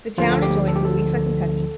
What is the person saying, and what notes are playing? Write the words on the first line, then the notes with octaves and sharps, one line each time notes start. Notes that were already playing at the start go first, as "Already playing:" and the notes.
The town adjoins Louisa, Kentucky.
D2 D3 F3 F4
A4
G4
A4
G4
A4